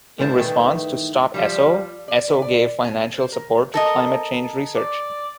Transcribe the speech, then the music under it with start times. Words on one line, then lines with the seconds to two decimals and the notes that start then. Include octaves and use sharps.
In response to Stop Esso, Esso gave financial support to climate change research.
0.18 D2 G#2 G#3 E4 C5 A5
0.37 G2 D#3 E3 A3
1.34 F3 G3
2.08 D5
2.28 B4
2.42 D5
2.84 G#5
3.14 C5
3.32 A#4
3.74 A4 A#4 D#5
4.76 D5